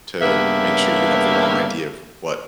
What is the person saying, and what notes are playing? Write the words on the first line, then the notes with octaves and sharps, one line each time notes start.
to make sure you have the wrong idea of what
G2 C#3 A#3 B3 E5